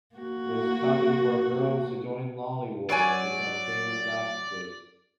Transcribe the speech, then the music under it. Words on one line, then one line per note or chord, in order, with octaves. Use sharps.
It was common for the girls to join Lollywood and become famous actresses.
A#3 F#4
F#3 C#5 D5 G#5